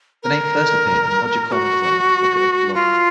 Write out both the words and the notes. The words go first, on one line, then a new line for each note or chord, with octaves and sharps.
The name first appeared in the Roger Corman film "A Bucket of Blood".
A#4
A#4
F#4
F4